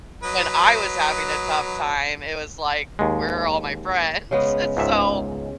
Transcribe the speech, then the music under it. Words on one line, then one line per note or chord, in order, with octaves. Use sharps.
when I was having a tough time, it was like, "Where are all my friends?" So,
F#3 B4 D#5
D#2 G#3
C#3 G#3 B3
C#2 G#2 E5